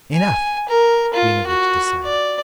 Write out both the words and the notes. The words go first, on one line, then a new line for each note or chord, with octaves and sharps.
"Enough!" Klinevitch decided.
G#5
A#4
F4
F#4
D5